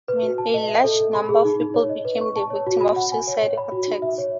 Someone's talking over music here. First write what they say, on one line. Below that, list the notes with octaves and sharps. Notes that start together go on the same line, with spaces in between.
A large number of people became the victim of suicidal attacks.
B4
F#4
A5
D#5
E5
A4
A4
B5
G#4
D#4
D#4
C#5
D#5
B4
C#6
A5
C#5
F#4
B5
F#5
G#5
C#5
C#5
B5
F#4
D#4
E5
C#5